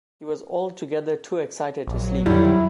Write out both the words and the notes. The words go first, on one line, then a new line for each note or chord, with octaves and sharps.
He was altogether too excited to sleep.
A#1 F#3
F2 D3 D#3 G3 E4